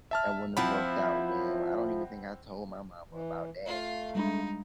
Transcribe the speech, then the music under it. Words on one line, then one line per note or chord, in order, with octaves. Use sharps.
that wouldn't have worked out well. I don't even think I told my mama about that,
E5 A5 F6
F3 C4 E4 F#5 B5
E3
A3 F4 F5
G3 G#3 D4 D#4